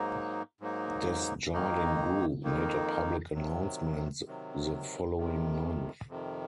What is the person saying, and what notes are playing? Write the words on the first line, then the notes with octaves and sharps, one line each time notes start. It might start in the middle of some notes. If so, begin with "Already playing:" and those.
Desjardin Group made a public announcement the following month.
Already playing: G#2 F#3 A#3 D#4
G#2 F#3 A#3 D#4
F2 D#3 A#3 D#4
F2 D#3 A#3 D#4
C3 D#3 F#3
C3 D#3 F#3
F2 C3 D#3
F2 C3 D#3